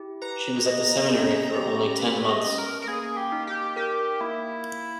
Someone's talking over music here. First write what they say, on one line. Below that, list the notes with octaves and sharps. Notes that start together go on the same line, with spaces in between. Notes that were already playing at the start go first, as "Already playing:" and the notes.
She was at the seminary for only ten months.
Already playing: E4 G4
B4 A#5
D#5
C#4
G4
B4 B5
D#5
C#4
A#4
A#4
A#3 G#4
G4
D#4
G4
G4 A#4
A#3 E4